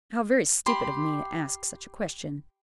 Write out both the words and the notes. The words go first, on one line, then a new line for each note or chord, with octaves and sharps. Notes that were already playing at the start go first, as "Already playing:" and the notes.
How very stupid of me to ask such a question.
G4 B5 C6